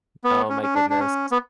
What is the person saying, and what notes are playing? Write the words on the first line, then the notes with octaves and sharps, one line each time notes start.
Oh my goodness.
B3
C#4
C#4
D4
D4
C#4
B3